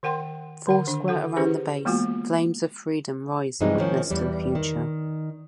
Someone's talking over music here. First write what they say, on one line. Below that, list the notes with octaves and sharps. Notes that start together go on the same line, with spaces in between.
Foursquare around the base, flames of freedom rise in witness to the future.
D#3 A#4 F#5 G5 C6
D3 A#4 F#5
D#3 D4
F#4 A4 F#5
C#4 E4 G4 G#4 B4 C5
E3 G#3 A#3 B3 F4 F#4
G2 E3 F3 G#3 D#4
D#3 F3 C#4
E2 G3 G4
D#3